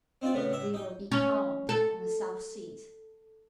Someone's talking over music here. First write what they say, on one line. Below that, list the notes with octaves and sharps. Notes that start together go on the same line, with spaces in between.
We were becalmed in the South Seas.
C4 D#4 F4 D5
A2 C#3 B3
A2 E5
D#4 G5
C#4
A4